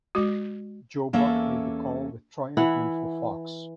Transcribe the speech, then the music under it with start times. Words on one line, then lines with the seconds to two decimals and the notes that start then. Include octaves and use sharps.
Joe Buck made the call with Troy Aikman for Fox.
0.15 G#3 F#4
1.13 E2 A#3 C#4 A4 E5
2.57 E3 E4 F#5